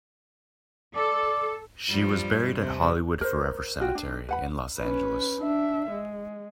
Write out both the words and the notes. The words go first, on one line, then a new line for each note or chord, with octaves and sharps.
She was buried at Hollywood Forever Cemetery in Los Angeles.
A4 D5
G2 F3 G3
C3
A#4 C5
F4 F#4 G5
D4
B4 F#5 B5
C#4 B4
D4 E5
G#3